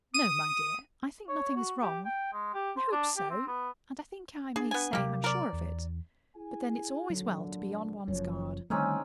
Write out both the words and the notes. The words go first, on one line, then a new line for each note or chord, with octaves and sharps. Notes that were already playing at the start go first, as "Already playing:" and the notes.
"No, my dear, I think nothing is wrong: I hope so, and I think I may say I'm sure of it; but then it's always well to be on one's guard."
D#6 D#7
C#5
F#4
G4
G5
G#3
G4
C5
D4
G4
C4
B3
D4 G#4
B3 G#5
C3 F#3 A#3 G4
A#4 D5
E2
E4 G#4 G#5
G#1 A#2 D3 F#3
F#1 F#2 F3 C#5
D3 D#3 G3 A3 C4 C#4 D#4